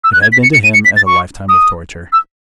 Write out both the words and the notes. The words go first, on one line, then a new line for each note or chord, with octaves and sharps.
It had been to him as a lifetime of torture.
E6
F#6
G#6
B6
C#7
C#7
D#7
C#7
B6
A6
C#6
D#6
E6